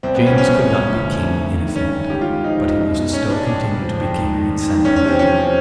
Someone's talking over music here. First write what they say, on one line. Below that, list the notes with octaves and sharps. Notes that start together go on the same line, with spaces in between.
James could not be King in effect: but he must still continue to be King in semblance.
C2 C4
B3
A#2
C#4
F3 C#4
C2
D2
D3
F3
D2
G2
D#3
G2 C#4
D#3
C#2 G4
F4
C#3
F3 D#4
C#2
C2
B2
C2 C#4
B2 D4
F2 D4
C#3
F3
F2
G#2
D#3
G#2
D#3
E2 C#4
C#4
C3
C4
F3 C#4